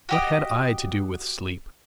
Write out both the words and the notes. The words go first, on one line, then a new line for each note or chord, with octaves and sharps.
What had I to do with sleep?
F#4 G4 D#5